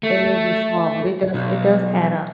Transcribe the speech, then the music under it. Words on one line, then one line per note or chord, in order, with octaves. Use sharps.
It may be small, but it does it does add up.
A3
B1